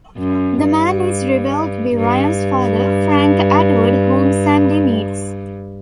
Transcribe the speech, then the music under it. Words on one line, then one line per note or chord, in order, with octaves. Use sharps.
The man is revealed to be Ryan's father, Frank Atwood, whom Sandy meets.
F#2
G2
G2